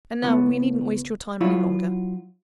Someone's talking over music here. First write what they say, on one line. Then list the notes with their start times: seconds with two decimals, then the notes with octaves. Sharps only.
And now, we needn't waste your time any longer.
0.23 C#2 A2 B3
1.40 F#3 E4 F4 C#5